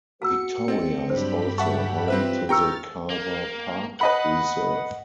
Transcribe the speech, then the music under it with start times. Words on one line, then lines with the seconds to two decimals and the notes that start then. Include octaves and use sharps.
Victoria is also home to the Carver Park Reserve.
0.22 F#4 F5 A#5 E6 C#7
0.68 C4 D5 D#5
1.10 G2 F#3 D4 G4 C5 B5
1.58 D#3 F#3 E5 F#5 A5 C#6
2.08 E3 G3 C4 F4 B4 C5 E5
2.49 D4 G4 G5 A#5 E6 F6 A6 C#7
3.10 A#3
4.01 B4 D#5 F#5 B5